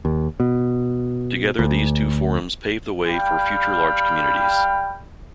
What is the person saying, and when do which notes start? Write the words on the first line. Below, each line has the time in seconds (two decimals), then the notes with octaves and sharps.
Together, these two forums paved the way for future large communities.
0.05 D#2
0.40 B2
1.59 D2
3.06 G3 F5 G5 B5